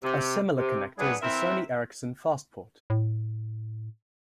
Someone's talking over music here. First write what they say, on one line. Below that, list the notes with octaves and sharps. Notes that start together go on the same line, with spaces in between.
A similar connector is the Sony Ericsson FastPort.
C3
C3
F#3 G3 B3 D4 E4 G#4
E3 C4 A#4 E5
A2